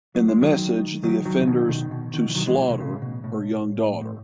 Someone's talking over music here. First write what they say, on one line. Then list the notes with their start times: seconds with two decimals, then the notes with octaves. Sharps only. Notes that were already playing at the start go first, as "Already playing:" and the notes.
In the message the offenders to "slaughter" her young daughter.
0.15 F#3
0.28 G#3
0.41 D#3 F#3
1.03 D#3 F#3
1.25 D#3 F#3
1.41 C#3
1.47 B2 D#3
1.69 B2 D#3
1.91 B2
2.13 B2 D#3
2.30 E3
2.35 D#3 F#3
2.47 E3 G#3
2.58 B2
2.69 B2
2.80 A2 C#3
3.02 B2
3.24 A2
4.01 A2